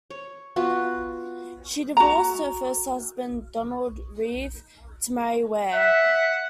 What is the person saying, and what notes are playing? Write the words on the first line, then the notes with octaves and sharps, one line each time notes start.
She divorced her first husband, Donald Reeve, to marry Weir.
C#5
B3 F4 F#4
F#4 A#5
E5 F#5